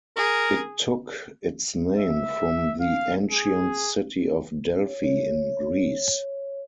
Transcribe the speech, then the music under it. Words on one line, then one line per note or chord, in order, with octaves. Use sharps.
It took its name from the ancient city of Delphi, in Greece.
G#4 A#4
E5
F5
G#4
C#5
C#5